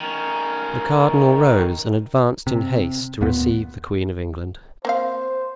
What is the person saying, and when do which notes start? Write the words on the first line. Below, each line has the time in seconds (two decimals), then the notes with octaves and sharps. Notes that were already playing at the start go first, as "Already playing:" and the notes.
The cardinal rose, and advanced in haste to receive the queen of England.
0.01 D#3 C#4
2.47 C3
3.21 D#2 A#2 B3
4.85 A#3 C4 C5 F5